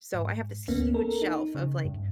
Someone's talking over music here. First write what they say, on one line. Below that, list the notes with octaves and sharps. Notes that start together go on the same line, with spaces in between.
So, I have this huge shelf of, like,
G#2
D2 A#3 B3 C#4
A4 A#4
D#4
C#3
G2